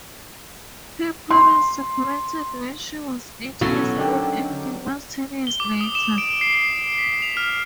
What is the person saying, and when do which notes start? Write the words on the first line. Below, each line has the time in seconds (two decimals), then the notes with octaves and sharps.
Her parents separated when she was eight years old and divorced ten years later.
1.30 C6
3.61 B2 F#3 C#4 F#4 A4
3.97 D3 D#3 D4 G4
5.47 G7
5.60 D6
5.81 D#6
5.95 E7
6.18 D7
6.41 C7
6.55 C7
6.76 D7
6.98 B6
7.22 F7
7.37 F6